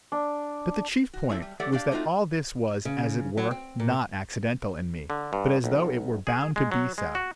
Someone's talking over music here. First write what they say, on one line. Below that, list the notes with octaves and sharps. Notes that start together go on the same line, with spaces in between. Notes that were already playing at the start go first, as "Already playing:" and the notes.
But the chief point was that all this was, as it were, not accidental in me, but as though it were bound to be so.
D4
F#4
A3 C4 E4 G#4
G3
A3 G4 A4 C#5 D5 F#5
D4 G4 D5 F5
A3 C4 D#4 F4 F#4
C#3
F#3
C4
A#2
D3
G2
B1
G#4
G#3
F#3
G#3
F#4